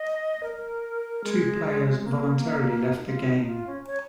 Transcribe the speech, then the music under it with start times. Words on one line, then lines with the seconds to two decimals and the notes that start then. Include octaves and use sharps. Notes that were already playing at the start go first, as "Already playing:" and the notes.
Two players voluntarily left the game.
Already playing: D#5
0.43 A#4
1.24 G#3
2.00 G#3
2.05 A#3
2.97 D#4
3.06 F4
3.26 D#4
3.47 F4
3.67 C#4
3.87 C#5